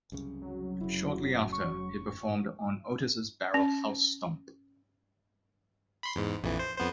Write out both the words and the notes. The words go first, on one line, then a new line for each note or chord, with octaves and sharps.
Shortly after he performed on Otis's Barrel House Stomp.
C2 F#2 C#3
F#3
F1 C#3 E4
C#6
C#4
B5 C6 C7
E2 G#2
A#1 F2 E3
C5
F2 B3 C5